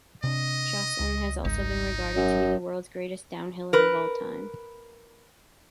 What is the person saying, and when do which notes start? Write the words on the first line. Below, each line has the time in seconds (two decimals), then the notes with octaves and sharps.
Chausson has also been regarded to be the world's greatest downhiller of all time.
0.24 C3 D4 D#5
1.00 C#2
1.45 G#1 D#4
2.16 F#2
3.73 A#4 B4